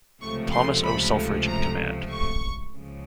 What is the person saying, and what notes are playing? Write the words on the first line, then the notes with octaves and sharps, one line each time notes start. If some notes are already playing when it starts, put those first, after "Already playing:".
Thomas O. Selfridge in command.
C#2 C3 F3 A3 C#6
C6
B5
A#5
C#6
C#2 C#3 F3